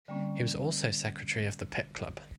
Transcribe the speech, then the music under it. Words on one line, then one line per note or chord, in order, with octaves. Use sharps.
He was also secretary of the Pitt Club.
D3 G3 A#3 C4 C#4